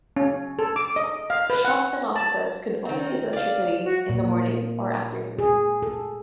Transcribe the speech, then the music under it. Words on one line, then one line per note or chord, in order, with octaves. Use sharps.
Shops and offices could only use electricity in the morning or afternoon.
C#4
A4
D6
D#5
F5
B4
F#5
A5
D#3 C4
D5 F5
F#4
A#2
G#4
A4